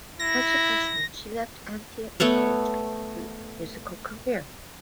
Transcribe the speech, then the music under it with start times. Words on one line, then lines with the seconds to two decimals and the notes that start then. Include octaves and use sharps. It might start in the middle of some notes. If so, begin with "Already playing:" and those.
As a freshman, she left Antioch College to pursue a musical career.
0.19 E4 A#6
2.20 A3 B3 C#5 F#5